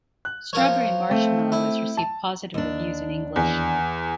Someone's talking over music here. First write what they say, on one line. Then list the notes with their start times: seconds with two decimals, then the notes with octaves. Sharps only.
"Strawberry Marshmallow" has received positive reviews in English.
0.25 F#6
0.53 F3 A#4 C#5
1.10 A3 C4
1.52 E4
1.97 A5
2.54 D#2 D4
3.36 E2